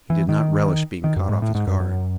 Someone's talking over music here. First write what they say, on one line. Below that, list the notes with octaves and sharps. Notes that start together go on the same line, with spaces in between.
He did not relish being caught off his guard.
E3
D#3
D#3
F#2
G#2
A2
G#2
F#2
F#2